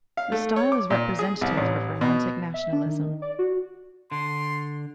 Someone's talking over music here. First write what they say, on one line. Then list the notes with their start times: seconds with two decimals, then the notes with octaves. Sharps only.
The style is representative of romantic nationalism.
0.17 F5
0.32 A3
0.56 C#5
0.72 D6
0.90 A#2
1.19 G#4
1.41 C2
1.58 A1
2.01 B2
2.54 E5
2.72 D4
2.86 D#3
3.03 D#3
3.22 D5
3.39 F#4
4.12 D3 C6